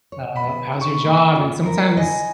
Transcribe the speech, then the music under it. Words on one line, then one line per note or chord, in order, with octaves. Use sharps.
uh, "How's your job?" and sometimes,
C#5
B5
B3
D#4
C#6
A#3 B5
F4
A#4
D#5 G#5